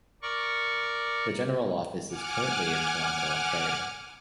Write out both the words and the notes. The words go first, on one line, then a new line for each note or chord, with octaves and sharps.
The General Office is currently in Toronto, Ontario.
A#4 D5 C#6
F#5 G#5 D6 F6